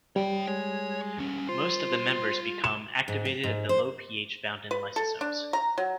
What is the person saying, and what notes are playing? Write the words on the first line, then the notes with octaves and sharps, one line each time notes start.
Most of the members become activated at the low pH found in lysosomes.
G3 C#5 G5
G#3 C#5
D#2 C#4
F4 C5
E7
G#2
G4
G#2
C5
B4
A4
D4
A#5
F#3